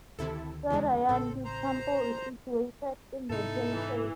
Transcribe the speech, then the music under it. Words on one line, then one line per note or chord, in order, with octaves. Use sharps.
Sadayandi Temple is situated in the hill caves.
D2 C3 D#3 E4 A4
E2 C#3 G#3
A1 A2 C#3 C4 A4
C5 A#5
G#2 C3 B3 D#4 E4 A4
E3